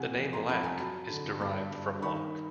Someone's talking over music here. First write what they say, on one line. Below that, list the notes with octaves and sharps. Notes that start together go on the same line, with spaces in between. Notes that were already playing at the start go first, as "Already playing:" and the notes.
The name 'Lack' is derived from 'Lock'.
Already playing: C3 E3 F#5 G#5
F2
A#5 C6
F2 A5 B5
G#5 A#5
F#3 A5 B5
D3
G2 A5 B5
G2
D#3 B5 C#6